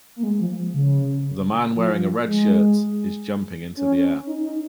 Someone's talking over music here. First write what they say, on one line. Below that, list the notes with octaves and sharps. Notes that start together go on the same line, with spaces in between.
The man wearing a red shirt, is jumping into the air.
A#3
G#3
F3
C#3
F3
G#3
C#4
D#4
D#4